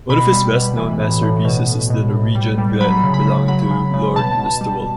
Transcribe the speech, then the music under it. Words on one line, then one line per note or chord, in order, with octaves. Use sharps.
One of his best-known masterpieces is the Norwegian glen belonging to Lord Listowel.
B2 B5
G3
B2
E3
A2
A2
B2
B2
B2
A2
G3
G3
F#3 B5
C#3
B5
C#3
F#3 B5
C#3
C#3
B2 A5
B2
G3